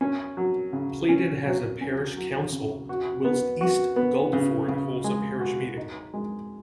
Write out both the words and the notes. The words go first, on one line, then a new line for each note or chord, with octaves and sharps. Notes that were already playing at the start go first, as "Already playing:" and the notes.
Playden has a Parish Council whilst East Guldeford holds a Parish Meeting.
C#4
F#3
C#3
C#4
F#3
C#4
F#3
C#3
F#4
B3
F#4
B3
C#3
C#3
G#3
F#4
D#4
G#3